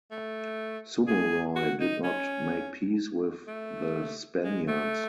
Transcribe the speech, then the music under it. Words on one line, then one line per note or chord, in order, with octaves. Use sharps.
Sumoroy did not make peace with the Spaniards.
A3
G#4
F#4
D#4
C#4
A3
G#3
A3